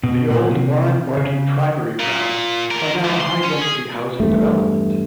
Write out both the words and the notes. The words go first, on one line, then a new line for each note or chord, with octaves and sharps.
The old Barne Barton Primary grounds are now a high density housing development.
B2
A#2
C3
C#3
A#2
D3 A#4
G#2 F3
C6
C#4
G#4
E2 G2 A3